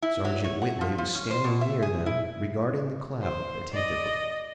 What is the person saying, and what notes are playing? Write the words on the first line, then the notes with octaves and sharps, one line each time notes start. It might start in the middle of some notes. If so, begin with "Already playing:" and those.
Sergeant Whitley was standing near them regarding the cloud attentively.
E4
F#3
C#5
F#5
F3
F3
C#4
C5
B2
E5
G#4
E4
C5
D5 D#5